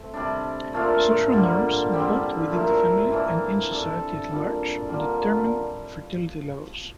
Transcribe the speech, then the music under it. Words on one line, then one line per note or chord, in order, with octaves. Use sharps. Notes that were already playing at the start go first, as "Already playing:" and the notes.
Social norms both within the family and in society at large determine fertility levels.
Already playing: A3 C4
C3 G3 D4
A#2 A3 D4 F4
D3 G3 A#3
D3 G3 C4 G4
A#2 A3 E4 A#4
E3 A#3 D4
G3 D4 A4
A#2 G3 D4
D3 G3 A#3 F4